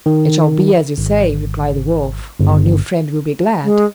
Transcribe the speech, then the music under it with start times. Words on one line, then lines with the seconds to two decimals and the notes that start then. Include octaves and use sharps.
"It shall be as you say," replied the Wolf; "our new friend will be glad."
0.06 D#3
0.98 G#1
2.40 G1
3.64 G#3